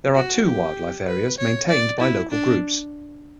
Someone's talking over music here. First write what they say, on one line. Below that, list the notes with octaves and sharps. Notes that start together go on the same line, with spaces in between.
There are two wildlife areas maintained by local groups.
F#4
G4
B4
C#5
D5
E4
D4